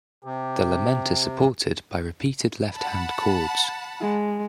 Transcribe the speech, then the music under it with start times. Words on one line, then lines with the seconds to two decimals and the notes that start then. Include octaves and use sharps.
The lament is supported by repeated left hand chords.
0.24 C3 G4
2.74 F#5 A5 B5
4.01 G#3